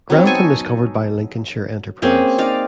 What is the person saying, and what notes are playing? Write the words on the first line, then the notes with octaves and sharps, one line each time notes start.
Grantham is covered by Lincolnshire Enterprise.
F#3 B3 C4 D#4
A4 G#5 C#6
A#3 C4 C#4 G#4
D#4 D5 F5